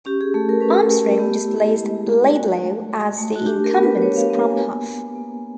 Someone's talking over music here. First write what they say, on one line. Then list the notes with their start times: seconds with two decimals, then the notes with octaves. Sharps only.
Armstrong displaced Laidlaw as the incumbent scrum half.
0.06 C#4 G4
0.21 G#4
0.34 A3 A4
0.49 A#4
0.60 C#4 B4
0.71 A#4
0.90 A3
1.19 B3 G4
1.48 E4
1.76 G#3 G4
1.95 G#4
2.04 G#3
2.32 A3 F#4
2.60 A3
2.89 A3
3.17 A3
3.36 F#4
3.46 D4 G4
3.64 A#4
3.74 B3
3.83 B4
4.02 B3 C#5
4.16 F5
4.30 B3
4.45 G#5
4.58 A#3 G#5
4.87 A#3
5.15 A#3